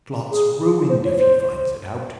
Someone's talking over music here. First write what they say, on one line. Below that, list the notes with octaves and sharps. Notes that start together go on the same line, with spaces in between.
Plot's ruined if he finds it out!
G#4
C5
C#5
C5